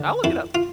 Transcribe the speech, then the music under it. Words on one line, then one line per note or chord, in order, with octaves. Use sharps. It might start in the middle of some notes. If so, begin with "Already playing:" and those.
I'll look it up.
Already playing: D3
F2 E4
F4